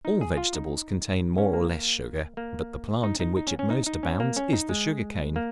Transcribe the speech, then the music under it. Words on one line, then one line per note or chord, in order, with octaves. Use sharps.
All vegetables contain more or less sugar, but the plant in which it most abounds is the sugar-cane.
D#4
G#4
F4
D#4
C#4
A#3
A#3
D#4
D#4
D#4
C#4
C#4
D#4
D#4
C#4
A#3
C#4
D#4
G#3
A#3